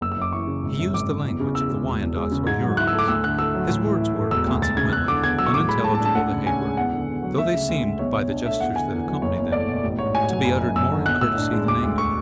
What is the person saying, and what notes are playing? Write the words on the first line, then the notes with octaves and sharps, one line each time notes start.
He used the language of the Wyandots, or Hurons; his words were, consequently, unintelligible to Heyward, though they seemed, by the gestures that accompanied them, to be uttered more in courtesy than anger.
F#1 E6
E6
F#2 D6
E3 C#6
C#3
G#1
F#2
G#1 D6
C#3
E2
C#3
E2 E6
G#3
E1
E2
G#3
C#3
G#2 G#6
F#3
E4 F#6
E6
A3
D6
D2 E6
D3 F#6
A3 E6
F#3
A2
E3
E4
A3
E1 E6
D2
E1 A6
C#3 G#6
E2 F#6
D3 D6
E2 G#6
F#3 E6
C#6
A2 D6
G#3 B5
A2 A5
A5
D4
A5
D2 F#5
C#3
C#4 G#5
G#3
E2 F#5
D3
E2
F#3
D2 E5
C#3
D2
G#3
B1 C#5
B2
D4
A3 E5
E2 F#5
D3 G#5
E2
F#3
F#1 C#5
E2
A3 D5
B2
A1
G#2 C#5
A1 G#5
F#3
F#1
F#2
F#1 E6
D3
B1 F#6
A2 E6
D4
G#3
E1 D6
D2
C#6